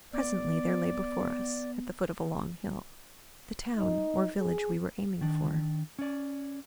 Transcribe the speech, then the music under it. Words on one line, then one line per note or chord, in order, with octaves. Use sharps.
Presently there lay before us at the foot of a long hill the town or village we were aiming for.
B3 D5
D#4
G#4
D#3 D4
C#4 D5